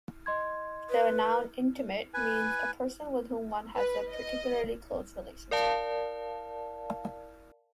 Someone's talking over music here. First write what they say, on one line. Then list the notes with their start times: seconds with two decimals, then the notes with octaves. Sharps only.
The noun "intimate" means a person with whom one has a particularly close relationship.
0.26 D#5 C6 G#6
0.90 B4
2.14 B4 G#5
3.76 B4
4.10 D#5
5.51 A#4 D5 F5 A5